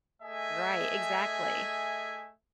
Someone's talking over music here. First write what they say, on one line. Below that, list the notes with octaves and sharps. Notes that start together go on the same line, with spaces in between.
Right, exactly.
A3 G#4 D#5 E5 G#5